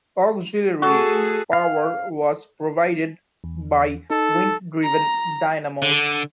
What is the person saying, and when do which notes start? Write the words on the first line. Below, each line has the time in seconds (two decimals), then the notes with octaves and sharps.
Auxiliary power was provided by wind-driven dynamos.
0.82 A3 F#4 G#4 A4
1.53 F5
3.44 E2
4.10 D#4 A4
4.83 A#5
5.82 D3